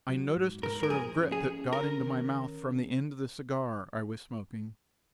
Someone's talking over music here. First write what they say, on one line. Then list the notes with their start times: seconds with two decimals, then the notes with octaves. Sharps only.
I noticed a sort of grit that got into my mouth from the end of the cigar I was smoking.
0.08 F#3
0.37 G#2
0.63 G#2 A#4
0.83 A#4
0.90 F3 G#4
1.18 C#4
1.32 G#4
1.45 C#4
1.72 C#4 A#4
2.00 D#3
2.27 C#4